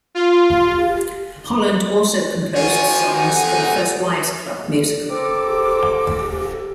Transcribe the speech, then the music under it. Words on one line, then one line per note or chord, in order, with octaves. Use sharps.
Holland also composed songs for the "First Wives Club" musical.
F4
C4 F4 F#4 G#5
D#4 G4 A4 F#5
E2
C4 A4 A#4 D6